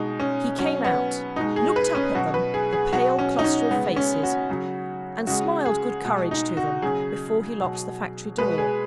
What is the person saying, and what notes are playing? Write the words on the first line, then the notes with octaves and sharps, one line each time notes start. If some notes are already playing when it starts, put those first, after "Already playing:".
He came out, looked up at them--the pale cluster of faces--and smiled good courage to them, before he locked the factory-door.
Already playing: B2 G#3 D#4
C#4
B2 F#3 C#4
B3
B2 G#3 D#4
G#4
B4
C#4
B2 F#3 F#4
B4
G#4
G#4
B2 F#3 F#4
C#4
D#4
C#4
C#3 G#3 B3
C#4
F#4
C#3 F#3
C#3 G#3 F#4
G#4
B2 G#3
D#4
F#4
C#3 F#3 G#4
B2 F#3
B2 G#3 B4
G#4